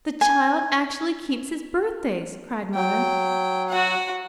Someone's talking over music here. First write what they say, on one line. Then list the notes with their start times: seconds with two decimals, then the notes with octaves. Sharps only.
"The child actually keeps his birthdays!" cried mother.
0.21 G#5
2.75 F#3 G5
3.69 F#4 F#5